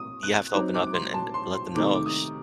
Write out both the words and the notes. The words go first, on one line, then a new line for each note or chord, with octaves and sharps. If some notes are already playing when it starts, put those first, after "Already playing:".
you have to open up and and let them know sh
Already playing: D#6
F#6
F#3 C4 D#4 D6
D6
D6
C6
A5
C6
C6
C3 D#3 A3 D#4 D6
D6
D#6